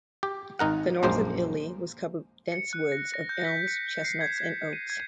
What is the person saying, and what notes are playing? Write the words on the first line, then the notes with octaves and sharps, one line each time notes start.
The north of Italy was covered with dense woods of elms, chestnuts, and oaks.
G4
G#1 D#4 A#4 F#5
A#1 F#2 G#3 A#3 C5
C#7
F#6
A#6
A#6
G6
B6
C#7
C7
G#6
G#6
D#7
G#6